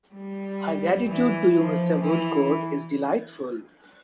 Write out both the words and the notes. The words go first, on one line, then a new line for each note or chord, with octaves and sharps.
Her gratitude to you, Mr. Woodcourt, is delightful.
G3
E3
F3
E3